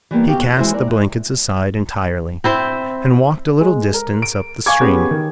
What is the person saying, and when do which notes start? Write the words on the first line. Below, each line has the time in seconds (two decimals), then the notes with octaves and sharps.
He cast the blankets aside entirely and walked a little distance up the stream.
0.11 E3 G3 A#3 B3
0.28 E2 B2 G4 F5
0.41 E4 F#5
0.57 E3 G#3 E4 F#4 C5
0.73 A#4 D5
0.88 F#5
2.44 C4 E4 C5
3.61 G#3
3.94 A#4
4.22 D7
4.66 F5 G#5 C#6 D6 G#6
4.81 B3 C#4 G4 G#4
5.11 D#3